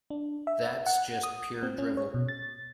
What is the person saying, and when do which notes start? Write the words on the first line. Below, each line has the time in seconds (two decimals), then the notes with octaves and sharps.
That's just pure drivel!
0.10 D4
0.47 E5
0.86 F#5
1.23 D#6
1.63 C4
1.78 C#4
1.97 C#5
2.14 B2
2.28 A6